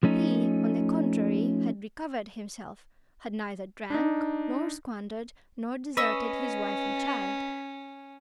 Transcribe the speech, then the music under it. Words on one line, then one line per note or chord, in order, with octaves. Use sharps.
He, on the contrary, had recovered himself, had neither drunk nor squandered, nor deserted his wife and child.
F3 A3 C#4 D#4
D4 D#4
C#4 B4 D#5 C#6 E6